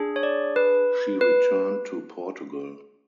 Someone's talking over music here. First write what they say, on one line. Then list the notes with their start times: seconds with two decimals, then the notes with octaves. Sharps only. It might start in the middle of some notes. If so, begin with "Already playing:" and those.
She returned to Portugal.
Already playing: D4 G#4
0.16 C#5
0.23 D5
0.56 B4
1.21 B4